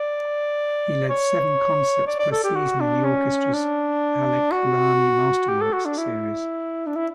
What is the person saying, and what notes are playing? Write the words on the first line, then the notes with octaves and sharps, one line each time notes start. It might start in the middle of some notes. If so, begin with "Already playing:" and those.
He led seven concerts per season in the orchestra's Halekulani Masterworks series.
Already playing: D5
C#5
D5
D5
A4
G4
F#4
D4
C#4
D4
F#4
G4
A4
F#4
D4
E4
D4
E4